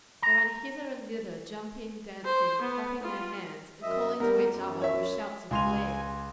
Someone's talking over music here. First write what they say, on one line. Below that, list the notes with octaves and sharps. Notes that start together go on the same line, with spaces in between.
They ran hither and thither jumping, dancing, clapping their hands and calling to each other with shouts of glee.
A#5
C5
B3
F4
F#2 D#5 E5
G3 B3 A#4
F#2
C#5 E5
C#2 G#5 C6 F7